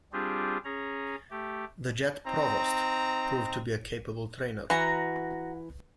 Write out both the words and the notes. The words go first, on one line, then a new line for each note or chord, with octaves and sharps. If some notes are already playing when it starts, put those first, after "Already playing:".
The Jet Provost proved to be a capable trainer.
G3 C4 D4 F4 G4 G#4
C#4 G#4 A#5
A3 G4
C4 D#4 A#5
E3 F#4 A#5